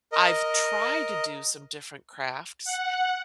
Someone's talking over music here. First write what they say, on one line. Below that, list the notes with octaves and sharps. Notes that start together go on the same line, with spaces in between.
I've tried to do some different crafts,
A#4 D#5
F#5